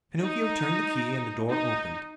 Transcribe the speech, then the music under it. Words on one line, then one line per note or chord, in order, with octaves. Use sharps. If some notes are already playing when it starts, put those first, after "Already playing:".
Pinocchio turned the key and the door opened.
D#4
D#4